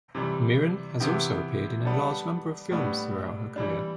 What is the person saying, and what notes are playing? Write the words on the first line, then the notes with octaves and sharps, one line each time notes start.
Mirren has also appeared in a large number of films throughout her career.
C3 E3 G3
C3 E3 B3 E4 G4
G3 B3 D4 A4
A2 G3 B3 D4
E3 G3 D4